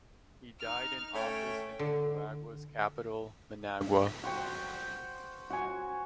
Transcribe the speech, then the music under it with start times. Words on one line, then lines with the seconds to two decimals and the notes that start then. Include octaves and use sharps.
He died in office in Nicaragua's capital Managua.
0.59 D#4 F6
1.15 A3 C#4 C#5 G5
1.79 D3
4.24 F#4 C5 G5
5.50 F#4 G#5